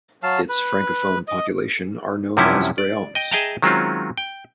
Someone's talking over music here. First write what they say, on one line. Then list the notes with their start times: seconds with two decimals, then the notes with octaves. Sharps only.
Its Francophone population are known as Brayons.
0.23 F#3 F5 A5
0.49 B4
1.28 D#5
2.37 F#2 C3 F3 G3 C#4 E4
2.78 D5
3.15 D#5 G5
3.31 G#4 D#5 E5 G5 A5 A#5
3.62 D#3 F#3 G#3 C4 C#4 F4
4.17 G5